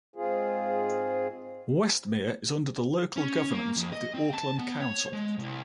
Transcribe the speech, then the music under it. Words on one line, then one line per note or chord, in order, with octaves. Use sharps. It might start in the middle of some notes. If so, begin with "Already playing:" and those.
Westmere is under the local governance of the Auckland Council.
G#2 C4 F4 G#4
C#4
A#3
F2
D#5
C4
A5
B3
C#5
G#3
C2